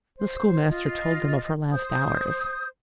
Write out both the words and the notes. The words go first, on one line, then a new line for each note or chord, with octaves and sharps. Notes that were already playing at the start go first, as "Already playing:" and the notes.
The schoolmaster told them of her last hours.
C5
F4 D#5
C5 D#6 G6